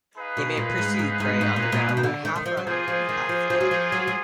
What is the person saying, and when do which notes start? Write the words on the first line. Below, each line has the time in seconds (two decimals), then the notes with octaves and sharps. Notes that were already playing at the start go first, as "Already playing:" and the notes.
They may pursue prey on the ground by half running and half flying.
0.15 D#4 G#4 B4 F5
0.37 B2
0.57 A#2
0.78 G#2
0.99 G#2
1.20 G#2
1.41 G#2
1.56 A#2
1.72 A#2
1.89 B2
1.97 D#3
2.03 D3
2.25 D#3
2.36 D#3
2.46 F3
2.57 F#3
2.67 F3 A#3 F4 G#4
2.88 F3
3.09 D#3
3.29 F3
3.50 F3
3.60 F#3
3.71 F3
3.92 F#3
4.08 F#3